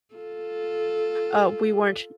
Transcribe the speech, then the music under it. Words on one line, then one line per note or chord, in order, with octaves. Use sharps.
uh, we weren't
F4 A4